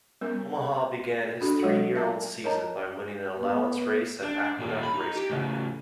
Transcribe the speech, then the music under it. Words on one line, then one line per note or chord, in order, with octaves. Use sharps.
Omaha began his three-year-old season by winning an allowance race at Aqueduct Race Track.
G3 B3 C#4 A#4
D4 F#4 A4
F#3 G#3 F#4 A4 C#5 F#5
E5 A5 A#5
A#4 C#5 D#5 A5 A#5
B3
D4
A#2 G3
B5
D#4
G4
A2 C#3